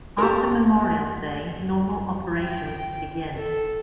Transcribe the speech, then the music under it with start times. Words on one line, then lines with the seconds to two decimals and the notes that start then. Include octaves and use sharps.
After Memorial Day, normal operations begin.
0.18 G4 A4 A#4
2.41 G5
3.35 A4